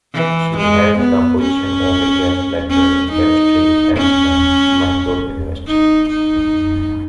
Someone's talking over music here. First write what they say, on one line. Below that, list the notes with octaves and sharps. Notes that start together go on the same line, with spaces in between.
She held the position of a guest lecturer in chemistry at the Mahidol University.
E3
G#3
B3
C#4
C#4
D#4
C#4
D#4
D#4